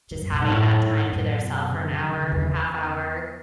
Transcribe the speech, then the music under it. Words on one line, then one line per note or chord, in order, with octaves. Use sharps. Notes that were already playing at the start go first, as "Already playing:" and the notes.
just having that time to their self for an hour, half hour
D3
F#2
B2
G#2
F#2 A2
G#2
F#2 A2
B2
C#3
D3
C#3
D3
C#3
D3
C#3
E2 D3
C#3